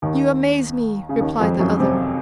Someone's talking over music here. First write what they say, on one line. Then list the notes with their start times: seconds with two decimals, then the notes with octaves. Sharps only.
"You amaze me!" replied the other.
0.02 D#2 D#3
1.09 C#3
1.21 D#2 D#3
1.40 F2 F3
1.60 F#2 F#3
1.80 C3 C4